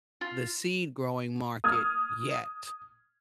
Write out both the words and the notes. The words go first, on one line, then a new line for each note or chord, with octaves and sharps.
the seed-growing market, yet.
F4
D#6 F6 G#6